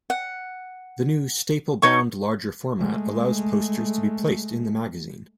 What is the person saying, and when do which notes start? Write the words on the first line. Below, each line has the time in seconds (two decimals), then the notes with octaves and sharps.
The new staple bound larger format allows posters to be placed in the magazine.
0.10 F#5
1.82 D#4 C#5 C#6
2.77 G#3 A3